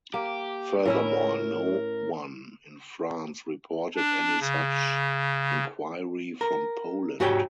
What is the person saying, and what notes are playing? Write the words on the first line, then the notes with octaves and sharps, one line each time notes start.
Furthermore, no one in France reported any such inquiry from Poland.
A#3 G4
A2 C#4 E4 A#4
D4
C#3
A#4
G#2 F#4 G4 C#5 G5